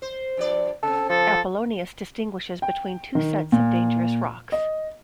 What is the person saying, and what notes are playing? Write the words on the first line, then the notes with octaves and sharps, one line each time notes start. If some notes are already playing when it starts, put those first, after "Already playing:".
Apollonius distinguishes between two sets of dangerous rocks.
C5
G2 F3 D5
C#3 C4 A4
F3 A4
G5
D#3
A#2
D#5